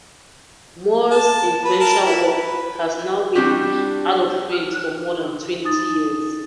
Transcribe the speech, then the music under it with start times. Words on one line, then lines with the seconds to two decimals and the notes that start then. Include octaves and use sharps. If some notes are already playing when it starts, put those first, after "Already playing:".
Moore's influential work has now been out-of-print for more than twenty years.
1.11 A5
1.65 B4
1.80 A#4 A5
2.06 E4 B4
2.27 B4
3.35 G3 C4 D4 F#4 G4
5.65 D#4 D#6 A6